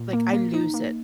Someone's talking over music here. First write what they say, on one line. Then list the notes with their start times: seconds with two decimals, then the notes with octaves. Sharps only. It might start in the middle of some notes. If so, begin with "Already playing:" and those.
Like, I lose it.
Already playing: A#2
0.13 A#3
0.33 A#3
0.54 D#4
0.74 A#3